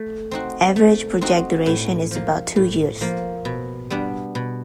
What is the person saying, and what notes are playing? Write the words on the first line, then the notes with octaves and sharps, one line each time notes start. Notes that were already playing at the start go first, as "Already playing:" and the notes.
Average project duration is about two years.
Already playing: A3
C4 D#4 F#4
A3
C4 D#4 F#4
A2
F3 A#3
A2
F3 A#3
B2
G3 B3 D4
B2